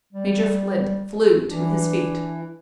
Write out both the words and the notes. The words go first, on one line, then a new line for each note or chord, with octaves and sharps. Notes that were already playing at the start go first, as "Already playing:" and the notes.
Major Flint flew to his feet.
G3
E3 D4